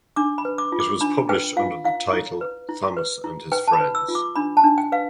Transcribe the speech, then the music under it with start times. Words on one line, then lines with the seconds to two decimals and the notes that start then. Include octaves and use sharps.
It was published under the title "Thomas and His Friends".
0.16 D4 D6
0.38 B5
0.45 B4
0.58 D6
0.72 F4
0.80 D6
1.01 D4 B5
1.29 B4 G5
1.57 F4 F5
1.84 E4 F5
2.13 E4
2.41 B4
2.69 E4
2.97 B4
3.24 E4
3.52 B4 G5
3.68 A5
3.73 B5
3.81 B4
3.95 E6
4.08 F4
4.15 D6
4.36 D4 B5
4.57 A5
4.63 D4
4.78 G5
4.92 B4 F5